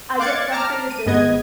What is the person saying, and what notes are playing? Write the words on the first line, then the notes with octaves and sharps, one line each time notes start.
I get frustrated with it
F5 D6 F#6 G#6 A6 C#7
A5 A#5 D6 F6
D#7
G1 G#2 B3 D#5 G#6